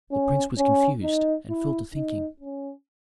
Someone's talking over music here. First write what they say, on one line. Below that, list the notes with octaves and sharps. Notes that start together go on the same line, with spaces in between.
The prince was confused and fell to thinking.
C#4
C#4
D#4
E4
D#4
C#4